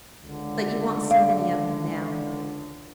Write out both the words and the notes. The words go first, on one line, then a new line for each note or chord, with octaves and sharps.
But you won't see many of them now.
C#2 D3
F5